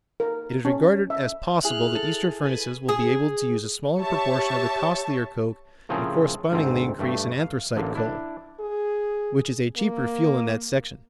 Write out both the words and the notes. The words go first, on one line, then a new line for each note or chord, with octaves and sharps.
It is regarded as possible that Eastern furnaces will be able to use a smaller proportion of the costlier coke and correspondingly increase in anthracite coal, which is a cheaper fuel in that section.
A#4
C#4
E5
E4 G#4 F6 F#6
A4
B4 G#5
G#4
G4 C#5 E5 A5 C#6
A2 C#3 F3 C4 G#4 A#4
D2 G#2 C4
G2 A3 G4
F5
A1 D3 A#3
D4 E4
G#4
A#3